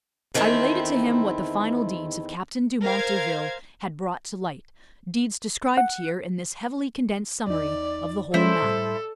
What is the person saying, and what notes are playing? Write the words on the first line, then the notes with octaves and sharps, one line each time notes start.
I related to him what the final deeds of Captain Dumont d'Urville had brought to light, deeds described here in this heavily condensed summary of the whole matter.
E2 D#3 A3 C4 E4
A#4 C5 F5 G#6
F#5
E2 D#4 D5
F3 G#3 C#4 E4 A4 C5
A2 G3